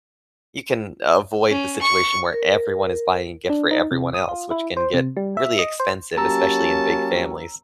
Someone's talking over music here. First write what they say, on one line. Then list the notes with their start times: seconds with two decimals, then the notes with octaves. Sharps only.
you can avoid the situation where everyone is buying a gift for everyone else, which can get really expensive, especially in big families.
1.49 C#4
1.81 C#6
2.33 A#4
3.50 D4
3.71 D#4
3.91 C3
4.14 D#6
4.29 F4
4.51 E4
4.77 C5
4.94 C3
5.17 G3
5.37 E5
5.59 D#5
5.80 C5
6.17 F#3 A#3 C#4 G4 A5 A#5 E6